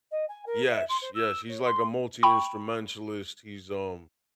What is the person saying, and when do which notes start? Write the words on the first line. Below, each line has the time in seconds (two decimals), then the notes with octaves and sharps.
Yes, yes, he's like a multi-instrumentalist, he's, um
0.11 D#5
0.28 G#5
0.46 A#4
0.70 E5
0.89 C6
1.01 C5
1.14 E6
1.49 C#5
1.65 C6
2.23 G5 B5 C#6